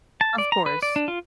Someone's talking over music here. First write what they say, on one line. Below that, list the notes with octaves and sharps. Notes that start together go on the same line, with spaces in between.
Of course.
A5
D5
A#5
B4
D5
D4
F4